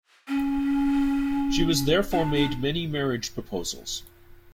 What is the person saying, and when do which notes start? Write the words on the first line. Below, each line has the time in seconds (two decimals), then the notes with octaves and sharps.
She was therefore made many marriage proposals.
0.28 C#4
2.12 D4
2.35 D4